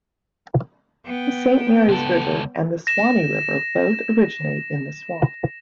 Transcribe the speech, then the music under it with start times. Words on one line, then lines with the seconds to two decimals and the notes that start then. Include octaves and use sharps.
The Saint Marys River and the Suwannee River both originate in the swamp.
1.06 B3 G5
1.89 C#2 A4
2.87 A#6 E7